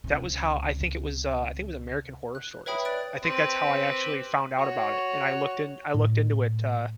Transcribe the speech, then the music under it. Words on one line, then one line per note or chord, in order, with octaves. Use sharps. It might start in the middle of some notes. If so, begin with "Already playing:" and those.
that was how I think it was, uh, I think it was American Horror Story. I think that's how I actually found out about it and I looked in I looked into it, uh,
C#2 C3
F#6
B4 C#5 E5 G5 B5 D#6
D5 F#6 A6 D7
C4 G4 B4
F#4 C#5
A2